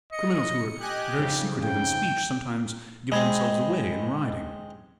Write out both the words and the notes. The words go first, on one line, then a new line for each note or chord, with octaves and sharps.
Criminals who are very secretive in speech sometimes give themselves away in writing.
D#5 C#7
G4 D#5 G#5 F#6
F2 G#2 C#3
G5
G#3 C4 D#5 B5 G#6